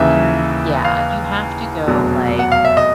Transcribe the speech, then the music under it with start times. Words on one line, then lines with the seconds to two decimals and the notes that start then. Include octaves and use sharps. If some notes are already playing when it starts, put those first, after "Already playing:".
mm, yeah, you have to go, like
Already playing: D#2 C#3 E3 E5
0.85 F5
1.87 F1 E2 B2 F#3
2.39 F#5
2.52 F5
2.65 E5
2.77 D#5